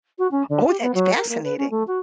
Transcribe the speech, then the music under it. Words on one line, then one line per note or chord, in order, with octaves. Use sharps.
Oh, that's fascinating.
F#4
C#4
D3
G4
B3
F#3
A#4
A#3
B4
C#4
A3
F#4